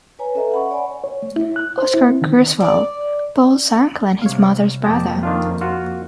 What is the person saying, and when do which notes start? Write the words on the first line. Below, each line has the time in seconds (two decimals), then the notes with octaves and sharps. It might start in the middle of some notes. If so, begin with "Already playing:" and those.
Oscar Creswell: Paul's uncle and his mother's brother.
0.19 B4 C#5 G#5 A#5
0.35 C#4 A4 B4 D#5 E5
0.52 F#5 B5 C#6
0.71 C#5 D5 F#5 G#5
1.04 C#5
1.22 A3
1.36 E4
1.56 F#6
1.78 C5
1.94 E4
2.09 C4
2.22 D#3
2.60 D5
4.22 C3 G3 C#5 F5
4.84 F2 A#3 G4 D#5 A5
5.23 D#3 D4 F4
5.61 F4 F#4